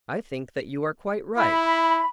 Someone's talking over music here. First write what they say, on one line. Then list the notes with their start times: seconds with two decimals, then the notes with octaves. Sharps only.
I think that you are quite right.
1.38 E4 B5